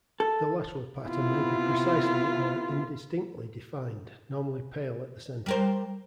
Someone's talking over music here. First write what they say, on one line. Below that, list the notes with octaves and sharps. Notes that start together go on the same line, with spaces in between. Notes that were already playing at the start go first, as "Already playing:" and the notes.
The lateral pattern may be precisely or indistinctly defined, normally pale at the center.
A4
C3 B3 E4 F4
G3 A#4 C5